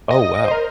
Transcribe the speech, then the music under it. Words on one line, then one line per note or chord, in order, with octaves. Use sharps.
Oh wow.
D#5
C5
A#4